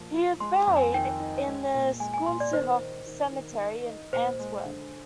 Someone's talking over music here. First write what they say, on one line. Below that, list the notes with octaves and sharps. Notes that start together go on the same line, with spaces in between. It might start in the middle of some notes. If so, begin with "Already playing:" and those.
He is buried in the Schoonselhof Cemetery in Antwerp.
Already playing: A#2 F3 A#3
F4
G#3 C6
F2
G#5
D#3 G5
D#4
G#3
A#2
G#3 G#5
G#5
A#2 C6
D5
D#3 C5
D#3
D#3
D#3
D#4
D#4
A#2 C5
G#3
D3